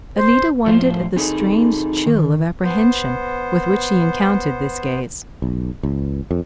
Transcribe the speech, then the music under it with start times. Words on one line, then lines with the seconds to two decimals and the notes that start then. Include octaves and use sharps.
Alida wondered at the strange chill of apprehension with which she encountered this gaze.
0.16 C5
0.66 A2 F3 F4 C5
1.16 C4 D#4 G#4 A4
2.06 D#3
2.63 B3 C5
5.42 B1
5.83 C#2
6.31 F2